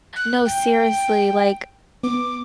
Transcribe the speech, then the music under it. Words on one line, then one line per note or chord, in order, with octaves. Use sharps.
No, seriously, like
F#6
G5
B3 D6